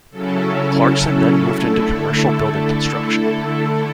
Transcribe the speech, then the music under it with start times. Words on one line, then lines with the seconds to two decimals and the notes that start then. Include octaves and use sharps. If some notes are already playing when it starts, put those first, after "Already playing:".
Clarkson then moved into commercial building construction.
0.11 C#3 F#3 C#4 E4 A4
0.83 A4
1.53 D3 A3 E4 A4